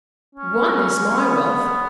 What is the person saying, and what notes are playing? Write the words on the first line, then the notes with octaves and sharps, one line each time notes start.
ONE is my wealth!
C#4
C#4
B3